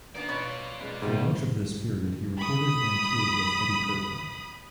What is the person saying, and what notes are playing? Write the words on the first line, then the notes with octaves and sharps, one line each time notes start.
For much of this period he recorded and toured with Eddie Kirkland.
A#3 B3 D4 F4 D5
B2 C#5 B5
B2 G#3
E2 G#2 G3 G#3
B5 D#6